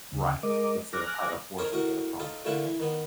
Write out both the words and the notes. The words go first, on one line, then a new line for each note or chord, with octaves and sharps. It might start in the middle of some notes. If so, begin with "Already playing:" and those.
Right. Instead of, kind of, forcing it upon them.
D2 C#3
G#3 A#4 D#5 D6
G#5 D6 F6 F#6 A#6
D#4 A4 A#4 C5 C#5 D#5
A2 F#4 A#4 F#5
D#4 F4 A4
A#2 D3 A3 E4 F4 F#5
E3
D#3 B3